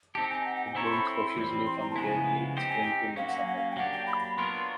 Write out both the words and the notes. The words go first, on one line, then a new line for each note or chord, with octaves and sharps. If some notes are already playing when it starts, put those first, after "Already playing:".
It blooms profusely from early spring to mid summer.
C4 D#4 G4 A5
G#5
F#5
F#5
G#5
C4 E4 A4 C#5 A#5
C6
B5
B5
C6
B5
E3 G3 C4
C6
A#5
A5
C#3 F3 G#3 B3 E4 G#5
C4 D#4 G4 C5 G5
G#5
G5
F#3 A#3 C#4 F5
F#5
F5
F#5
F5
G5
F#3 A#3 D4 G4 F#5
G5
B5
B5
B3 D4 F4 A#4 C#5 C6